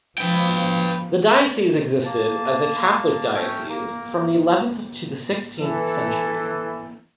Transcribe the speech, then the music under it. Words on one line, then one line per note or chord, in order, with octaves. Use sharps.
The diocese existed as a Catholic diocese from the eleventh to the sixteenth century.
F3 B4 G5
A#3 A5
A3 C#4 C#5 G5
A#3 A#4
E3 A4